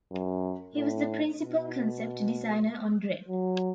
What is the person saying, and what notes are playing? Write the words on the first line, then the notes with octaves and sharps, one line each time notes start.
He was the principal Concept Designer on Dredd.
F#2
A2
B2
F#3